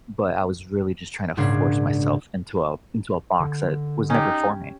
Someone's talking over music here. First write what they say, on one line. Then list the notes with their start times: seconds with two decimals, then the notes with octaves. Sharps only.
but I was really just trying to force myself into a into a box that was never for me.
1.37 A#1 G#2 C#3 D4 G#6 C7
3.40 D3
4.10 C#4 D#4 G4